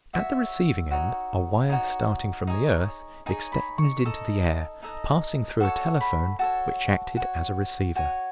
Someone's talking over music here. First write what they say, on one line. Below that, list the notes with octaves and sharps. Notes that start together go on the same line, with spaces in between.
At the receiving-end a wire starting from the earth extended into the air, passing through a telephone, which acted as a receiver.
F#4 C#5 E5
D#4 F#4 C#5
D#4 F#4 C#5
D#4 G#4 C#5
D#4 G#4 C#5 G#5
B5
C#6
D#4 A4 D#5
D#4 A4 D#5
F#4 A4 C#5 C#6
B5
F#4 A4 C#5 A5
F#4 C#5
F#4 C#5 G#5